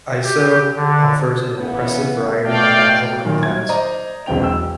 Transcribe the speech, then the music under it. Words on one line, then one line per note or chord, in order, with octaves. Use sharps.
Aiseau offers an impressive variety of natural habitats.
G4
D3
C#3 E3 B3
B2 A3 D5 F5 G5
A#2 D#3 F#3 G3
G#6
C5 D5 D#5 A#5
E1 B1 E2 C4 G5 F7
E6